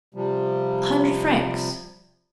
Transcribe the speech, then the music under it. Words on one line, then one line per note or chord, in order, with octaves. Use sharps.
"A hundred francs."
C3 F3 G3